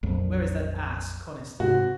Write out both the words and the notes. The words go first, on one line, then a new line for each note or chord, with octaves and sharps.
Where is that ass, Coniston?
A#1 F2 F#3
G#2 C3 F#4